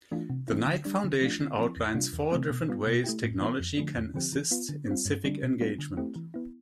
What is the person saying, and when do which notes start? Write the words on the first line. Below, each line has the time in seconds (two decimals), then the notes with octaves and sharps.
The Knight Foundation outlines four different ways technology can assist in civic engagement.
0.11 E3 A3 D4 F4
0.30 C3
0.48 E3 A3 C4 E4
0.67 D3
0.85 G3 D4
1.04 D3
1.21 F3 A3 D4 F4
1.40 D3
1.58 F3 C4 E4
1.77 E2
1.94 C3 G3 D4 F4
2.13 E2
2.31 C3 E3 A3 C4
2.50 B2
2.68 G3 B3 F4
2.87 B2
3.04 A3 E4 G4
3.23 A2
3.41 E3 B3 F4
3.60 F2
3.77 D3 F3 A3 D4
3.96 E2
4.14 D3 F3 C4 G4
4.32 E3
4.51 B3 F4
4.69 D3
4.88 G3 C4 F4
5.05 G2
5.24 D3 G3 D4
5.43 B2
5.61 G3 B3 D4 F4
5.78 D3
5.97 A3 C4 E4 G4
6.16 E3
6.34 B3 E4